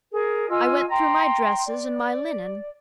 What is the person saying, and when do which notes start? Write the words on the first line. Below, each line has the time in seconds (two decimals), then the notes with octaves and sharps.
I went through my dresses, and my linen.
0.11 G#4 A#4
0.49 F4 D#5 G#5 E6
0.89 G5 A#5 C6
1.64 D5